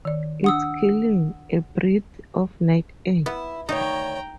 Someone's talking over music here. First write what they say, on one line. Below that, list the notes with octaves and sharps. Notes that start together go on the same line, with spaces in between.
It’s killing, a breath of night air!
D#3 D5
D4 F#5 D#6 E6
B3 E4
D2 D#3 D#4 C#5 G5 A#5